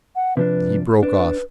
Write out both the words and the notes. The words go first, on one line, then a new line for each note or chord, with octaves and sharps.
He broke off.
F#5
C3 F3 D4 B4
D4 B4